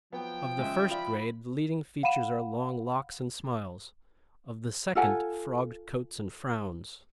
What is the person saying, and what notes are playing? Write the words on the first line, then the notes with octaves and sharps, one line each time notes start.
Of the first grade the leading features are long locks and smiles; of the second frogged coats and frowns.
F3 F#3 B3 G5
C#3 G#3 E5
F4 D5 E5 B5
F5 F#5 B5 D#7 E7
F4 A4 F#5 G#5